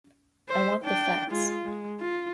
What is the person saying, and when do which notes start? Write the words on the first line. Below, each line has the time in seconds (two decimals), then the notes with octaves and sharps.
I want the facts.
0.49 C5 E5
0.83 D4 G5
1.30 G#3 F4
1.66 G#3
2.00 F4